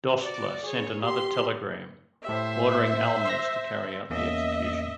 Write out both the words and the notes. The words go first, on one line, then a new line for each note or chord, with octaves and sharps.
Dostler sent another telegram ordering Almers to carry out the execution.
F#4 D5
G#4 C#5
G4 C6
A2 G4 C5 E5
C6 E6 A#6
E2 A#3 C#4 D#5 E5